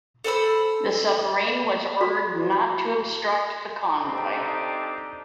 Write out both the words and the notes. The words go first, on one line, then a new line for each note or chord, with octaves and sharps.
The submarine was ordered not to obstruct the convoy.
A4 C5 B5 E6
F#4
C4 D4 D#4 G4 A4